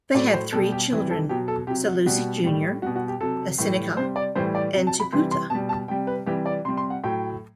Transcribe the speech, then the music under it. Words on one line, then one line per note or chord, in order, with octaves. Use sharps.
They had three children: Sailosi Junior Asenaca, and Tupoutu'a.
A2 F#3 D5
C5
B2 G3 A4
G4
C3 E3 G3
A4
B2 F#3 G4
A4
C3 F#3 G4
F#4
B2 G3 F#4
A2 G3
B2 G3 F#4
F#4
G4
C3 F#3 A4
A2 E3 G3
C3 G3 C5
D5
A2 E3 G3 C5
D5
C3 F#3
A5
B5
C3 E3 G3 C6
C6
B2 G3 A5
A5
C3 G3 G5
B4
C3 E3 G3 G4
D5
C3 G3 C6
C6
F#5
A2 F#3 G5